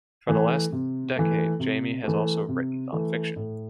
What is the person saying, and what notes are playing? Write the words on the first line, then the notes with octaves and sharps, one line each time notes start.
For the last decade Jamie has also written non-fiction.
E3 A3
C3
E3 A3
C3
E3 A3
C3
E3 A3
A2